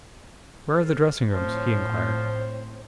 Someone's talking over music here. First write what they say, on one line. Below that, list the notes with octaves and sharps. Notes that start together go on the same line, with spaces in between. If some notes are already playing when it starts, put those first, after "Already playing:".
"Where are the dressing rooms?" he inquired.
A4 C5 F6
A2 F3 C4 C5 C#5